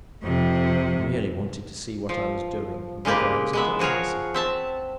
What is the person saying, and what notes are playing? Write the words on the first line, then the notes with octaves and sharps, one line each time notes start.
He merely wanted to see what I was doing and whether I was enjoying myself.
F2 C3
F3
C#3 G#3 A#3 G4 B4
G#3 B3 E5
F3 F#4 G#4 A#4 C#5
C4 E5 A5